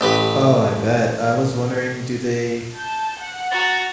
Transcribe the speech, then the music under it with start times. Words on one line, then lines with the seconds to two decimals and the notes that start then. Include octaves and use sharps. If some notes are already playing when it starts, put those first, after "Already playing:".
Oh, I bet, I was wondering, do they,
0.01 A1 G4 B4 B5
2.73 A5 G6
3.19 F#5
3.51 F#4 A#5 A6